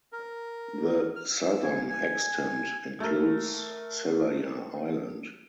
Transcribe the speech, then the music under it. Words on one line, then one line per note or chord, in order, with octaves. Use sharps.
The southern extent includes Selayar island.
A#4
F6
E6
G#5
G#5
A3 A#4